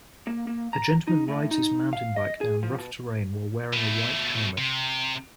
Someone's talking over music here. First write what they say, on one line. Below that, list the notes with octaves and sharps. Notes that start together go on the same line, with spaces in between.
A gentleman rides his mountain bike down rough terrain while wearing a white helmet.
A#3
A#3
A#5
D#4
A2
D#4
F5
D#5
G#4
F3
B2
B2 A3
C3